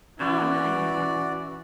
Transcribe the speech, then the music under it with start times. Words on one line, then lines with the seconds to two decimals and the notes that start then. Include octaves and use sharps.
Oh, nice.
0.20 E3 C#4 F#4 D5